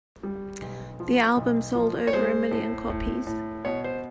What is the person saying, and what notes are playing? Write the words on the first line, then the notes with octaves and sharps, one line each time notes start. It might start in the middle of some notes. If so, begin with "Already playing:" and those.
The album sold over a million copies.
G3
B1
F3
B1
F3
C#5
G#3 C5
A2
A2
A2
B2 C#5
C5